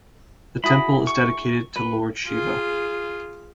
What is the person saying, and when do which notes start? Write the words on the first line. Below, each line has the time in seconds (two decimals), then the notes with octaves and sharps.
The temple is dedicated to Lord Shiva.
0.64 E4 F#4 G#4 B5
1.07 C#6
1.76 B4
2.27 F4 G#4